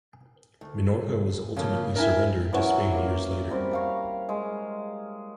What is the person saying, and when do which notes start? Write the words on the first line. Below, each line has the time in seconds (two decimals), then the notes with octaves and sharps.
Minorca was ultimately surrendered to Spain years later.
0.61 D2
1.56 C#3 F3 A#3 C#4
1.96 D4 E4 A#4 G5 G#5
2.53 E3 F#3 C#4 A#4
2.93 A#3
3.50 G3 C4 A#4
3.71 C#5 F5 A#5
4.29 G#3